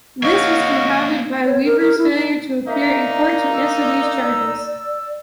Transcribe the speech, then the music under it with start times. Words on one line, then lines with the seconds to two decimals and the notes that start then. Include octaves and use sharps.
This was compounded by Weaver's failure to appear in court to answer these charges.
0.23 A#3 F#4 C#5 D#5 F5
1.45 C#5
1.65 A#4
1.80 A#4
1.98 E4
2.15 D#4
2.68 A#3 D#4 D5 E5
3.54 E6